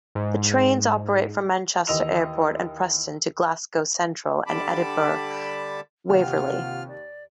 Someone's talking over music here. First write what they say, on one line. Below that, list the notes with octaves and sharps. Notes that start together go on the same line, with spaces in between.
The trains operate from Manchester Airport and Preston to Glasgow Central and Edinburgh Waverley.
G#2
D#2 E3 D#5 E6 F7
D3 G3 A5 B5 D6
D#2 C3 F4 F#5 F6
D5